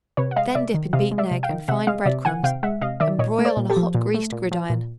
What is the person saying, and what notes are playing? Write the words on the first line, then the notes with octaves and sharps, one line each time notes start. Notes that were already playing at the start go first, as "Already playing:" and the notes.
Then dip in beaten egg and fine bread-crumbs and broil on a hot greased gridiron.
C3 B4 C#5
F#5
G#3 D#5 F5
C3 D5 E5
D#3
C3 D#5 F5
G#3
D5 E5
C3
F5 G5
D#3
C3 E5 F#5
G#3 D#5 F5
C3 D5 E5
D#3 F#5 G#5
C3 F5 G5
G#3 E5 F#5
C3 D#5 F5
D#3 D5 E5
A#2 C#5 D#5
A3
C5 D5
A#2
G4 A4
F3
A#2
A3
A#2
F3
A#2